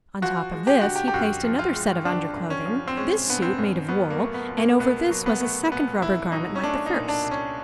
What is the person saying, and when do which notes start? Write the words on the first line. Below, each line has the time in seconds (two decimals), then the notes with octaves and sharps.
On top of this he placed another set of under-clothing, this suit made of wool, and over this was a second rubber garment like the first.
0.22 F3 F#4
0.52 G#3
0.67 G4
0.81 D3 F#4
0.96 G4
1.08 G4
1.14 F#2 F#4
1.44 F3
1.59 F4
1.74 G#3
2.05 D3 D4
2.36 F#2
2.50 C#4
2.66 F3
2.88 C4
2.97 G#3 C#4
3.28 D3 B3
3.42 C4
3.58 F#2
3.88 F#3 B3
4.10 A#3
4.19 A3
4.34 B3
4.49 A#2
4.57 A#3
4.79 C2 B3
5.10 F#3
5.26 B3
5.41 A3
5.72 A#2 B3
6.02 C2 E4
6.32 F#3 D#4
6.55 C#4
6.63 A3 D4
6.86 D#4
6.93 A#2
7.09 D4
7.23 C2
7.31 C#4